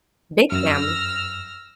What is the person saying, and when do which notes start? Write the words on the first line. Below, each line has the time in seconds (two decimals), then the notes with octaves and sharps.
Big family.
0.52 F#2 E6 F6 A#6